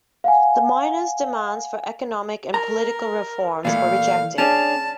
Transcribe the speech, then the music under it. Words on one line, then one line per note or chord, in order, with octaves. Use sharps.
The miners' demands for economic and political reforms were rejected.
F5 F#5 G#5
A#4 A#5
A#2 E3 A3 F5
C#4 D4 G#4 A5